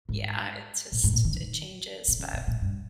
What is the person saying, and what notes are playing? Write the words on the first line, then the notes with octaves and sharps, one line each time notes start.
yeah, it just it changes, but
G#2
A#2
G#2
A#2
D#3
D#3
B2
C#3
B2
A#2
G2